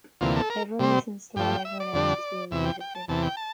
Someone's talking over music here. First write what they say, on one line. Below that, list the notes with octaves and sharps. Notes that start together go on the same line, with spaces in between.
Everyone listens to what everyone else is doing musically.
D2 C3 E3 A#3 F4
A4
A#4
C3 G3 C4
G2 F3 A3 G5
E5
D5
F2 D3 G3 D4
E2 C3 E3 E5
G5
G5
A5
E2 C3 E3 A5
G5
A5